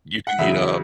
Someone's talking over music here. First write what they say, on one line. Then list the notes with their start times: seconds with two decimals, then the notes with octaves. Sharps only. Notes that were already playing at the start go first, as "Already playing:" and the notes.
you can heat up.
0.27 F#5
0.38 E2 C#3 F#3 E5